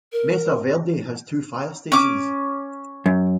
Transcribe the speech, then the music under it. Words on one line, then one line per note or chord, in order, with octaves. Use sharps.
Mesa Verde has two fire stations.
A#4
C#4 D6
F#2